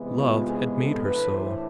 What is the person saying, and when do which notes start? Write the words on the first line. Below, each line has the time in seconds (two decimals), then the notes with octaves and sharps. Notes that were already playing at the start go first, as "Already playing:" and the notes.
Love had made her so.
Already playing: C3 E3 G#3 B3
0.20 F4
0.48 G#4
0.76 A4
1.05 A2 E3 A3 D4 B4
1.33 C5